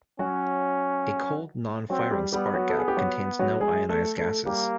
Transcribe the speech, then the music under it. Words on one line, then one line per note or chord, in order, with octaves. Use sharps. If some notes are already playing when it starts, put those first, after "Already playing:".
A cold, non-firing spark gap contains no ionized gases.
F#3 C#4 F#4
F#3 C4 F#4
G3 G4
G3 B3 G4
F#3 F#4
A4
G#4
G4
F#3 F#4
F#3 F#4
G#3 G#4
A3 A4
A3 A4
G3 A#3 G4